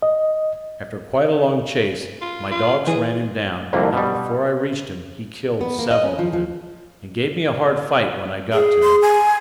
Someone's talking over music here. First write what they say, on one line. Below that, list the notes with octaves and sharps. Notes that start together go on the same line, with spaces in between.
After quite a long chase my dogs ran him down, and before I reached him he killed several of them, and gave me a hard fight when I got to him.
D#5
F4
F4
E3 G#4
C2 F2 D3 A#3
B2 G3
B3
A#3
D#5
C#4
F3
F3
G#4
C6
G#5